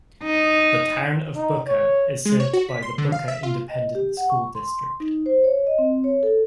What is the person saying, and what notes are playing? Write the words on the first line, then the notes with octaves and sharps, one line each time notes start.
The Town of Booker is served by the Booker Independent School District.
D#4
D#4
C#5
G#3
C#5
F#4
B6
C6
D3
F5
E5
F4
D#5
G4
F#5
C#6
C6
D#4
C5
C#5
D#5
C4
C#5
A4